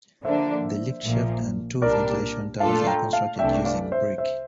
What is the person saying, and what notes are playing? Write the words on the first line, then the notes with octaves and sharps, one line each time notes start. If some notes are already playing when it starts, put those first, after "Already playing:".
The lift shaft and two ventilation towers are constructed using brick.
D3 F3 A#3 D4 C5 E5
A#1 A#2 F3 A#3
C2 A#2 G3 D4 A#4 D5
A#2 A3 D4 F4 A4 F5 A5
G5 A#5
F5 A5
C2 C3 E3 A3 D4 E5 G5
D5 F5
C5 E5
C5 E5